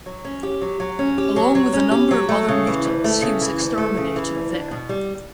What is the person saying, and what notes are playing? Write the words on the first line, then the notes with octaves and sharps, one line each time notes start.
Along with a number of other mutants, he was exterminated there.
F#3
C#4
G4
F#3
F#3
C#4
G4
F#3
F#3
C#4
G4
F#3
A3
C#3
E3
D2
A3
C#3
E3
D2
A3
C#3
E3
D2
D4
B2
G3